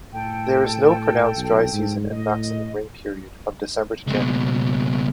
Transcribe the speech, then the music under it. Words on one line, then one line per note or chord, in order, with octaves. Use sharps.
There is no pronounced dry season and maximum rain period from December to January.
A2 A4 G5
B1
G#2
A2 D#5
C#2 B2